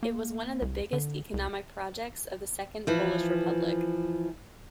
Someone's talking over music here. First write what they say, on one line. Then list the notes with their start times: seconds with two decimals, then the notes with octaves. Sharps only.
It was one of the biggest economic projects of the Second Polish Republic.
0.03 A#3
0.62 C2
0.93 D3
1.34 C2
2.87 E3 F3